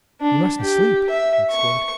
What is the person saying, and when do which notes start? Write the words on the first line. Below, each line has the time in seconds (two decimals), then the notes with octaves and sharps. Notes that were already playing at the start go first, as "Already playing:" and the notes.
"You mustn't sleep!" he exclaimed.
0.21 D4
0.60 G4
1.09 E5
1.51 C#6